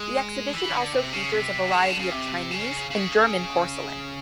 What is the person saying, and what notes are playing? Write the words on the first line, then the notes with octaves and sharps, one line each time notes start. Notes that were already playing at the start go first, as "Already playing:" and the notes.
The exhibition also features a variety of Chinese and German porcelain.
Already playing: G#3
E3
D3
C3
C#3
C3
C#3
D3
C#3
C3
C#3
C#3